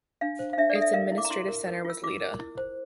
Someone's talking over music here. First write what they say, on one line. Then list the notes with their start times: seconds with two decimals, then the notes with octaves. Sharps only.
Its administrative centre was Lida.
0.21 D4 F5
0.39 C5
0.53 F5
0.58 D4 E5
0.70 D5
0.75 A4
0.81 E5
0.94 A#4 F5
1.12 E4
1.18 D6
1.25 A#5
1.31 E4 C6
1.48 A#4
1.67 A#4
1.85 F4
1.90 E6
2.04 F4 D6
2.21 A#4
2.39 E4
2.57 C5